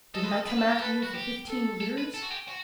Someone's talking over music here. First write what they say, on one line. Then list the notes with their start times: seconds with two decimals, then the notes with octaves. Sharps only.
Didn't I come after you for fifteen years?
0.15 A4 D#5
0.23 B4
0.32 A4
0.48 B4
0.58 A4
0.68 G4
0.79 A4 B4
1.03 F#4
1.14 G4
1.48 A4
1.81 A4
1.98 B4
2.14 A4
2.22 F#4
2.31 G4
2.48 F#4